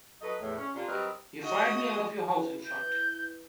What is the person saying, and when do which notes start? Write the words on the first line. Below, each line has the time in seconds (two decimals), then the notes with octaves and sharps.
You fired me out of your house, in short.
0.22 F#3 A4 B4 D#5
0.41 E2 A2
0.58 C#4
0.75 C3 A#3 D4 F4
0.88 F#3 G3 C4 A#4 B4 D#5
1.40 F#4 D#5
2.35 E4 B4
2.65 G6